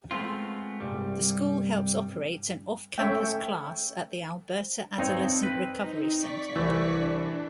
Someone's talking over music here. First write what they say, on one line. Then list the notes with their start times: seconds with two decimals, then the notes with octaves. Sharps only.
The school helps operate an off-campus class at the Alberta Adolescent Recovery Centre.
0.11 G#3 A3 B3 C4 F4
0.80 C2 G2 G3
2.98 A3 C#4 C#5 E5 G5
4.98 G2 C4 D#4 C#5
5.43 B4
5.79 D#4
6.19 D5 C#6 B6
6.56 C2 E3 A3
6.95 D4